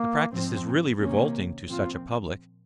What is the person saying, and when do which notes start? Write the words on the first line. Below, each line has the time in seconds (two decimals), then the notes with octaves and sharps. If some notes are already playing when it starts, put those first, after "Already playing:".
The practice is really revolting to such a public.
Already playing: A#3
0.33 G#2 F3 C4
1.00 C3 D#3 A#3 C#4
1.68 A#2 F3 C4 F4